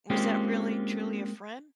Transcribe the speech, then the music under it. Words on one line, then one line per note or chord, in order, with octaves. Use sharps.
was that really truly a friend,
G#3 A#3 C4 C#4 F4 G4